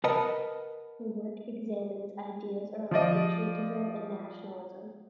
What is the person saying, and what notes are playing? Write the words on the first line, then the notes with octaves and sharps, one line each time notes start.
The work examines ideas around patriotism and nationalism.
A#4 B4 D#5 F#5 A5
F3 F4 D5 D#5